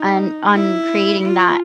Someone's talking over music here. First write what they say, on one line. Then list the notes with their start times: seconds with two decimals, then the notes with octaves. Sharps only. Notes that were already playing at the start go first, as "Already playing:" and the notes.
an on creating that
Already playing: D#4
0.55 E4
1.21 F4